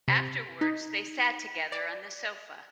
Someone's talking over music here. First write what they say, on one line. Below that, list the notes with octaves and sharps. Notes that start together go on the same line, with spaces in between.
Afterwards they sat together on the sofa.
C3
D#4
D5